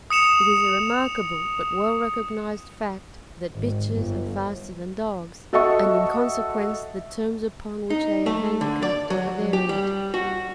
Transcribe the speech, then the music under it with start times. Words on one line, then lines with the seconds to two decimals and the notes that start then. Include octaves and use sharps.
It is a remarkable but well recognised fact that bitches are faster than dogs, and in consequence the terms upon which they are handicapped are varied.
0.10 D#6 C#7 E7 F7
3.53 G#1
3.90 G1
5.53 F#4 A4 D#5 E5 F#5 C#6
7.90 D#4
8.26 A3
8.61 D3
8.83 D5
9.10 F#3
9.53 G4
9.69 G3
10.14 F#4